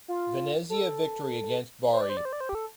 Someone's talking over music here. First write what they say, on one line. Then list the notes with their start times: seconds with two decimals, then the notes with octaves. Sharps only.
Venezia victory against Bari.
0.08 F4
0.70 A4
1.93 C5
2.01 D5
2.09 C5
2.17 D5
2.25 C5
2.33 D5
2.40 C5
2.49 G4
2.55 A4